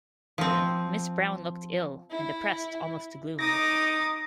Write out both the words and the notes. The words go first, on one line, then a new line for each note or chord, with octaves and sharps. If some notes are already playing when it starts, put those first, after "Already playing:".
Miss Brown looked ill, and depressed almost to gloom.
F3 C4
E4
D#4 D6 D#6 A#6